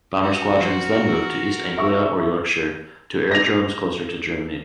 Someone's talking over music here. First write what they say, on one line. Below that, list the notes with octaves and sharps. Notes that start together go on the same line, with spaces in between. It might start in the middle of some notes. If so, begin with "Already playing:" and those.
Bomber squadrons then moved to East Anglia or Yorkshire to aerodromes closer to Germany.
F#4
F3 A#4 C5
E5 C#6 E6
A#6 F7